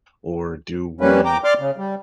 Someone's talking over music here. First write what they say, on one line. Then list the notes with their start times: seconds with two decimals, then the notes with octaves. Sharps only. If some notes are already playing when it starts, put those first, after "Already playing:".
Or do we
1.01 G3 A#3 C#4 B4
1.25 G5 A#5 D6
1.44 D5 C6 D6 F6
1.59 C#3
1.78 G3